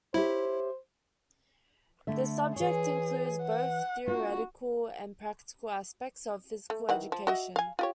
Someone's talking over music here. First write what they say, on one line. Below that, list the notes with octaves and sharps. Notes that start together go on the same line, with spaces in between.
This subject includes both theoretical and practical aspects of Physical Education.
E4 G4 C5 C#5 E5
D3 A3 E5
E3 G#4 C#5
F#5
A#3 D4 F4 F#4
A3
D#3 E3 F#5
F3
F#4 D#5 E5
F5 G#5
F4 G4 C#5